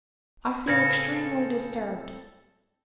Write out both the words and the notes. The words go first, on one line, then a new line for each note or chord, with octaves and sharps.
I feel extremely disturbed.
A2 C#3 C4 A4 B4 F5 G#6 A#6